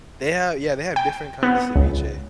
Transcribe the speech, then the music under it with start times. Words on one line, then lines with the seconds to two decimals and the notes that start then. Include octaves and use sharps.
They have yeah, they have different kind of ceviche.
0.96 G5
1.43 B3
1.76 C#2